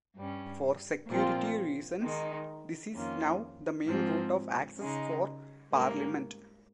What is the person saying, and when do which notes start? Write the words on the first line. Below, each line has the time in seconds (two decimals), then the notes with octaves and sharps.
For security reasons this is now the main route of access for Parliament.
0.16 G2 G3 C#4
1.08 A#2 F3 C4 F4
2.01 D#3 G#3 D#4
2.94 F2 D#3 A#3 C#4 F4
3.86 G#2 F3 C4
4.79 C#3 G#3 D#4
5.72 G#2 G3 A#3 C#4